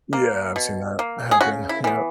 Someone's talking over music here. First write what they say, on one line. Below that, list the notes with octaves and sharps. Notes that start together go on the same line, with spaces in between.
Yeah, I've seen that happen. Yeah.
A#3
B2
A#3
G#4
C#3 F#4
E4
E3 B3